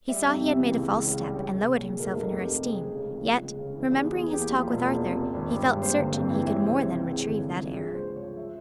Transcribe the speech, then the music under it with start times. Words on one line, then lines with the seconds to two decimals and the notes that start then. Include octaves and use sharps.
He saw he had made a false step and lowered himself in her esteem, yet, remembering his talk with Arthur, he felt certain he could more than retrieve that error.
0.08 G3 E5
0.24 F2
0.40 C3
0.57 E3
0.72 C#2
0.88 C#2
1.04 C#3
1.20 G3
1.36 C#4 C#5
1.52 C2
1.68 A#2
1.84 G#3
1.99 F1 A#4
2.16 F1
2.32 F2 G4
2.48 C3
2.63 C4 G#4
2.80 C#2
2.96 C#3
3.12 F3
3.27 G#3
3.43 C#2
3.58 C#3
3.75 E3
3.91 E2 G4
4.07 E2
4.12 G#4
4.22 E3
4.33 G4
4.39 A#3
4.55 F3 F4
4.71 E1
4.87 E2
5.03 C3
5.18 C#4
5.34 G#1
5.50 G2
5.66 G3
5.82 A#3 C5
5.98 G1
6.14 F2
6.30 E3
6.46 G3 E5
6.55 C#5
6.62 C#2 C5
6.74 C3 C#5
6.94 E3
7.10 G#3
7.26 G1
7.42 G2
7.57 F3
7.73 G#3 C#5
7.89 C#2
7.95 C5
8.05 C#3
8.16 C#5
8.21 F3
8.37 E5